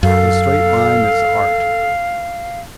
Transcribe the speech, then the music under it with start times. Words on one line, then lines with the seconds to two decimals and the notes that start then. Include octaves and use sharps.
The straight line is Art.
0.03 F#2 A4 F5